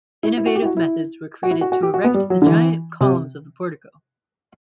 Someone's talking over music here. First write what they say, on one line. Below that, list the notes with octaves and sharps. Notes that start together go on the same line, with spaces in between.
Innovative methods were created to erect the giant columns of the portico.
E4
E4
F#4
G4
E4
F#4
E4
F#4
E4
F#4
F#4
G4
F#4
B3
G3
F#3
D3
E3
C3